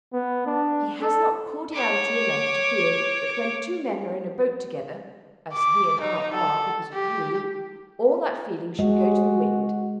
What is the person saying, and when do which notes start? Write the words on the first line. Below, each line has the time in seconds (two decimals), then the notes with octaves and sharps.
He has not cordiality enough to feel that when two men are in a boat together, as he and I are because of you, all that feeling should go to the wind.
0.13 B3
0.46 D4
1.01 A4
1.72 C#5 D6
5.53 D6
6.01 D#4
6.34 A4
6.94 G4
8.79 G#3 F#4